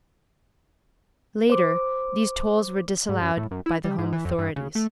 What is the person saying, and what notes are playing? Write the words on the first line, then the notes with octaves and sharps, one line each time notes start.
Later these tolls were disallowed by the home authorities.
C5 D6
G#2
F#2
A2
F#2
E4
G3
G#2
E3
F2
G2
C#3
A3